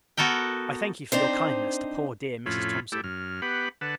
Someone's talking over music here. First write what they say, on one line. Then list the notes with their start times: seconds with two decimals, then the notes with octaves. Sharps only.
I thank you for your kindness to poor dear Mrs. Thomson.
0.17 B3 F#4 A4 A#4 G5
1.12 C4 D4 D#4 C5
2.46 F2 A2 C#4 F4 B5
2.92 A3 E4 G4
3.04 F#2 F6
3.42 B3 G4 F#5 B5
3.81 D3 B4 F#5 A5